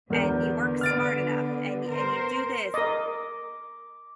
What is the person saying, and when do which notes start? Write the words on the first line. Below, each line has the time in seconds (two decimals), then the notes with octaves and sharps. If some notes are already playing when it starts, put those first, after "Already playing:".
and you work smart enough and y and you do this,
0.10 E2 D3 B3 A#4 G6
0.81 F6 A6 D7
1.88 A#4 C5
2.74 A#4 D#5 D6